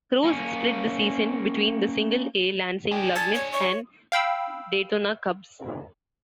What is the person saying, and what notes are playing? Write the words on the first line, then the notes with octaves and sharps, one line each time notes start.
Cruz split the season between the Single-A Lansing Lugnuts and Daytona Cubs.
A#3 C#4
D4 G#4 G5
A5 G#6
C#5
C#5 C#6
F5 G5 B5 E6